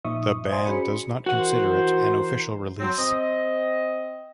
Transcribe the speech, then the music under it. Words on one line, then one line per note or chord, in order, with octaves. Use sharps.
The band does not consider it an official release.
A#2 F3 D#4 E5 C#6 D#6
C5 D5 G#5 A#5 C6 D#6
C#4 F#4 G#4 C5 B5 C#7
E3 F#4 A#4 C5 F#5
F#3 C4
C4 D#5